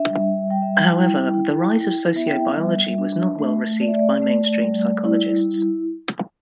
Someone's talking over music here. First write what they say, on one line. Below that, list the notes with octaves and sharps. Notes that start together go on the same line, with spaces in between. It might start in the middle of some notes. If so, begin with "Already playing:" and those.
However, the rise of sociobiology was not well received by mainstream psychologists.
Already playing: D4 E5
G3
G3 G5
E5
G5
E4
E4
E4
B3 E5
G5
E5
G3
D4
A3
A3 D5
E5
D5
A3
G3
E4